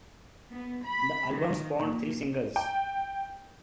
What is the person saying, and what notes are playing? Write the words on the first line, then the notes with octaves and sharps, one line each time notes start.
The album spawned three singles.
B3
B5
D#3
A#2
G5